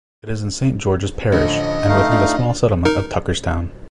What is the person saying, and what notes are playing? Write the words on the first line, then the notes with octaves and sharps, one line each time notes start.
It is in Saint George's Parish, and within the small settlement of Tucker's Town.
A1 D3 F3 D#5
A3 D#4 F5
D4 F4
D#4 A#4